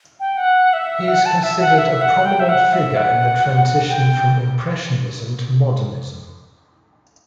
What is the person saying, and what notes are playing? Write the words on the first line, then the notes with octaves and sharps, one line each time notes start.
He is considered a prominent figure in the transition from Impressionism to Modernism.
G5
F#5
E5
F#5
A5
E5
F#5
E5
F#5
G5
E5
F#5
E5
F#5
F#5
G5